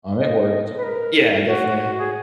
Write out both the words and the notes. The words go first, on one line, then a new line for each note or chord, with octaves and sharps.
um, it worked. Yeah, definitely.
D#5
B4
A#4
F#4
G#4